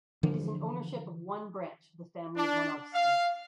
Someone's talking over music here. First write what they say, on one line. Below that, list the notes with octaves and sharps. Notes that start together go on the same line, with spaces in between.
It is in ownership of one branch of the family of Lonovski.
D3 E3 F3 D4
D4
F5